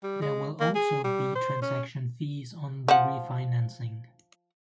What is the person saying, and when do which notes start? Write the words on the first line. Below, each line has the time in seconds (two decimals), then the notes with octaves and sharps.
There will also be transaction fees on the refinancing.
0.03 G3
0.22 G#3
0.60 A#3
0.75 G#4
1.04 G3
1.36 C5
1.62 C#4
2.88 F3 F#5